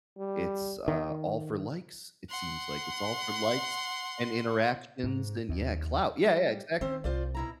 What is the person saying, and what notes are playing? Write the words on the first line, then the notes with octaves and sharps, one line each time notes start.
it's, uh, all for likes, it seems, like, it's all for likes and interactions, and yeah, clout, yeah, yeah, exactly,
G3
D#3
F#5 C6
G#2
D#2
G3
D#3 C4 C#4 C5
C2 F4 C5 D5
B2 E4 A#5